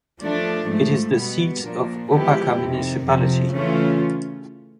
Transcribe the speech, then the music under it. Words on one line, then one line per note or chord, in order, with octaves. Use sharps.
It is the seat of Opaka Municipality.
F3 A3 D4
G#2 F3 A3
B2 G3 B3
A#2 F3 A#3 D4
F3 G#3 B3 E4 G4
F2 C3 D#3
F2 C3 F3
C#3 E3 A3 C#4 F4